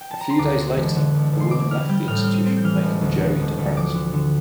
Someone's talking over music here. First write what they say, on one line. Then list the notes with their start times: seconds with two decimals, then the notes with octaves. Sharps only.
A few days later the woman left the institution making Joey depressed.
0.01 G5
0.11 A5
0.21 A#5
0.30 C6
0.39 D2 D6
0.57 D3
0.76 E1
0.96 D3
1.15 E1
1.33 E1
1.40 C6
1.51 C4 D6
1.71 E4 F6
1.89 G3 G6
2.08 A2 F6
2.16 G6
2.24 C4 F6
2.46 C4
2.57 G6
2.64 E3 F6
2.82 E1
3.01 D2
3.21 D2
3.39 E1
3.57 D2
3.76 F3 D6
3.94 D3
4.13 D3